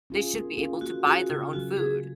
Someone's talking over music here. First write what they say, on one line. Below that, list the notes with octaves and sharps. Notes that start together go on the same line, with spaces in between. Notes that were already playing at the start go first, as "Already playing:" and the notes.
They should be able to buy their own food.
C#4 F4 G#4
A#3
C#4 F4 G#4
A#3 F#4
C#4 F4 F#4 G#4
C#3 F4
F#3 A#3 F#4
C#3 G#4